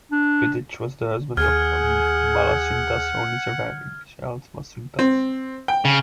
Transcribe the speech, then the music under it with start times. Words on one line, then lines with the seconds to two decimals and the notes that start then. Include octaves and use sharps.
Vitiges was the husband of Amalasuntha's only surviving child, Matasuntha.
0.11 D4
1.37 D#2 G#4 F#5 F6 G#6
4.99 C4
5.68 G5
5.85 C#3